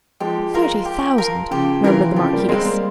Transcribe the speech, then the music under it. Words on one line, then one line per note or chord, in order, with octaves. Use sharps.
"Thirty thousand," murmured the marquise.
F3 G#3 G4
A#4 F5 C6
G4
A#4 F5 C6
C#3 F3 G4
C3 E3 A#4 F5 C6
C#3 F3 G4
G3 A#3
G#3 C4 A#4 F5 C6
G3 A#3